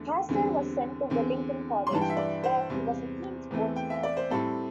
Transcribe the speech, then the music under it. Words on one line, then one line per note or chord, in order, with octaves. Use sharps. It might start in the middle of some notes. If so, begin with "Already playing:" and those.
Hasler was sent to Wellington College, where he was a keen sportsman.
Already playing: E2 D3 A3
E2 D3 G3 C4
E2 D3 C4
C6
G2 E3 G3 A5
G5
E5
D5
C5
E2 C3 G3
E2 E3 A3 C4
G5
E5
D5
C5
A2 G3 C4 A4